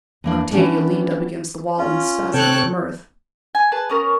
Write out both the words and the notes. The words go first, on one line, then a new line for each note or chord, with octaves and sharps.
Octavia leaned up against the wall in spasms of mirth.
E2 A#3 D4
E3 G3 A#3 B3 C#4 D4
C#4 F4
C3 C4 A4 C#5 G5 C#6 F#6
G#5
G#4 B4 A5
B3 C#4 A#4